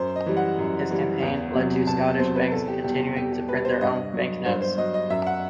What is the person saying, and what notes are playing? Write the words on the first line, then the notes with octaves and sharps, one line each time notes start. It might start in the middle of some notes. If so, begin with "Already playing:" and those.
His campaign led to Scottish banks continuing to print their own banknotes.
Already playing: F#2 C5
D#5
E3 G3
F#5
F#2
E3 G3
E2
C3 F#3
E2 A5
C3 F#3 C5
B4
E2 A4
G4
B2 G3 G4
G4
E2 G4
G4
B2 G3 B4
C5
G2 D#5
F#3
G2 C5
C5
F#3 D#5
D#5
F#2 E5
F#5